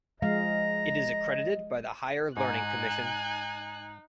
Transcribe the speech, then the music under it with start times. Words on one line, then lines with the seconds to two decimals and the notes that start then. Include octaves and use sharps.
It is accredited by the Higher Learning Commission.
0.22 F3 G#3 D#5 F5 A#5
2.37 G#2 D#4 G#5 F#6